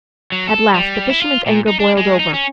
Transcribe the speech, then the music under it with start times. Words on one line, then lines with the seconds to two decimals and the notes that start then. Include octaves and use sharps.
At last the fisherman's anger boiled over.
0.32 F#3
0.47 A4
0.74 G3
1.10 E4
1.22 F4
1.46 A#2
1.68 D#4
1.80 D4
1.97 G#3
2.19 D#4
2.34 C#4